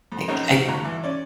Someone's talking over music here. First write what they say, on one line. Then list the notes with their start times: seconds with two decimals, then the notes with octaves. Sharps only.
I I
0.12 F2
0.28 A#1 C#4 D#4 A#4 D#5
0.48 B2 C4 D#4 F5
0.68 A1 D2 F#4 A#5
0.82 G2 E3
1.03 C#4 D5